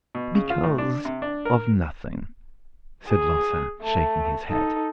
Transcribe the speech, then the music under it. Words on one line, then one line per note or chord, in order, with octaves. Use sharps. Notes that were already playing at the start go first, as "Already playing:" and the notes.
"Because of nothing," said Larsan, shaking his head.
B2
C#3
F4
A2
D4
C3
D4
A#4
G#4
A3
D#4 A4